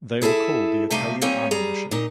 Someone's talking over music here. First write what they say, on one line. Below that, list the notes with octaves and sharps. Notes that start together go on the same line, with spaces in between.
They were called the Italian Army Mission.
E4 G#4 A4 D#5 E5
C3 G3 A3 D#4 F5
G3 A#3 C4 D#4 C#5 G#5
G3 G#4 A#5
A#2 D#4